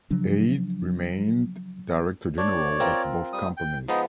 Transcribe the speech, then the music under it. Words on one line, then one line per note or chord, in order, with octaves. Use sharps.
Eyde remained director-general of both companies.
C#3 F3 F#3 D4
D4 C#5 D5
C4 F4 A#4
G3 D#6
G5
F3 G#3 B3 D#4 D#5